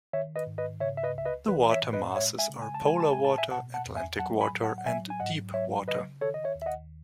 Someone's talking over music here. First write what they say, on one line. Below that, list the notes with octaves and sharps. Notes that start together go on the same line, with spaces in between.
The water masses are Polar Water, Atlantic Water, and Deep Water.
D#3 C#5 E5
B4 D#5
G#2
B4 D#5
C#3 C#5 E5
E5
B4 D#5
C#2 E5
B4 D#5
E3 B4
C#5 E5
A2
B4 D#5
F#5
G#3 C#5 E5
E5 G#5
C#3
G#5
A5
G#3 G#5
A5
A2 G#5
A5
E5 G#5
B2 F#5 A5
F#5 A5
E2
E5 G#5
F#3 F#5 A5
G#5 B5
A2
F#5 A5
F#5
F#3 E5 G#5
G#5
G#2 D#5 F#5
F#3 C#5 E5
C#3 B4 D#5
D#3 A4 C#5
D#5
C#5 E5
D#2
E5
D#5 F#5